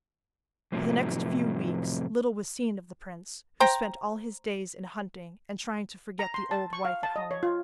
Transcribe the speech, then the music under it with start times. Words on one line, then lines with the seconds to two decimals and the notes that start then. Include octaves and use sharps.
For the next few weeks little was seen of the prince, who spent all his days in hunting, and trying to forget the old wife at home.
0.72 F2 A2 C3 F3 F#3
3.60 C5 G5 A#5
6.19 A#5
6.34 C6
6.51 A5
6.73 C#6
6.85 F5
7.03 A5
7.16 D#5
7.31 C#5
7.43 F4